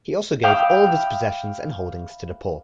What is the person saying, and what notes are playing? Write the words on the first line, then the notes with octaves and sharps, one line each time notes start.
He also gave all of his possessions and holdings to the poor.
E5 F5 G5 B5 D6 D#6